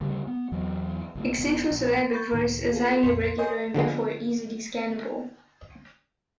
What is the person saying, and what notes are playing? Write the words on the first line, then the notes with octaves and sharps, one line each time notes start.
Accentual-syllabic verse is highly regular and therefore easily scannable.
D2 C#3 G3
B3
E2 E3 F#3
C2 C3 A3
F1 C3 B3
A#1
B5 C#6 G6 A6
C#2 A2 D#3
F4 G#4 A4
A#1 F2 A#2 C6 B6 C#7
C#5 D#5 G#5 C6 D#6 G6
D3 F3 G#3 B3